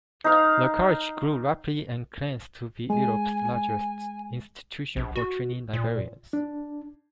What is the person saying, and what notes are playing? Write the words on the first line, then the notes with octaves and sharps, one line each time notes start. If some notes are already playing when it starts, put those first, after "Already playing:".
The College grew rapidly and claims to be Europe's largest institution for training librarians.
D#4 F5
G#3 G#5
A#1
F#4
A#2
D4